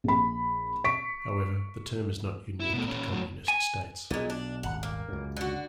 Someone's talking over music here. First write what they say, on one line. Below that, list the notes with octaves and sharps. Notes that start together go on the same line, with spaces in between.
However, the term is not unique to communist states.
A#1 B5
C#6 B6 D7
E4
B2 A3
A#2 C#4
A2 F#3
G#5
B1 A#2 G#3
D4
D#1 G#1 F#5
A#3
C#2 F#2
D3 F#4